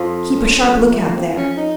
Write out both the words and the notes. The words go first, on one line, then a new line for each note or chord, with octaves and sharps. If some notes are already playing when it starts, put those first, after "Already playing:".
Keep a sharp lookout there.
Already playing: F2 F3
C#4
A3
A#3
C4
C#4
D#4